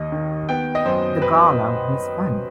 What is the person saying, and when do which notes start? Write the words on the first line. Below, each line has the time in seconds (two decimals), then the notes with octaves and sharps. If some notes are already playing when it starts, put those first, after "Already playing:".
The Gala was fun.
Already playing: D#2 D#5
0.12 D#3
0.49 B3 G5
0.75 D#5
0.85 F#2 C5
1.22 B4